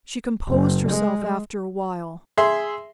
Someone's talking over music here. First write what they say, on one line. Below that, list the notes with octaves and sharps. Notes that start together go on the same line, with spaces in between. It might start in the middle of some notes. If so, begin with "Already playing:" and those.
She composed herself after a while.
F#1
G#3
G#4 E5 C6